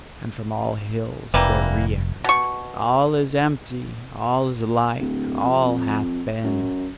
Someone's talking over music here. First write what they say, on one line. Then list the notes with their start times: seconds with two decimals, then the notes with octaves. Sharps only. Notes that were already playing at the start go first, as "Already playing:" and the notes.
And from all hills there re-echoed: 'All is empty, all is alike, all hath been!'
1.34 F1 E3 G3 A#3
2.24 B2 C#6
5.00 D1
5.42 F2
6.44 F#2